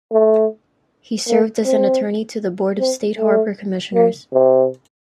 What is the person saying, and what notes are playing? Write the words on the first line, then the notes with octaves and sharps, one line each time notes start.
He served as an attorney to the Board of State Harbor Commissioners.
A3
A#3
C4
C4
A3
A#3
C3